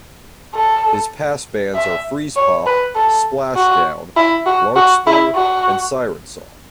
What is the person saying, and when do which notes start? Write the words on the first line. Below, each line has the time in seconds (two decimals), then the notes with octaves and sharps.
His past bands are Freezepop, Splashdown, Larkspur, and Sirensong.
0.55 A4
1.76 E5
2.36 C#5
2.66 B4
2.95 A4
3.56 F#4
4.17 E4
4.46 F#4
4.76 F#4
5.07 E4
5.36 F#4